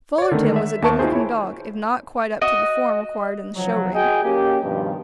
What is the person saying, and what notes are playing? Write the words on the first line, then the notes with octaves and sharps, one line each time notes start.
Fullerton was a good-looking dog, if not quite up to the form required in the show ring.
C#5 D5
D3 D#3 A3
E5
D#2 A#3 E5 A5 C#6 D7
D#4 F4 F#4 G#4 C5
E4 C#5
F#4 D#5
C#2 F3 F#3
F#4 G#4 D#5 G5 G#5
A#3 C#4 G4
G2 B2 D#3 F3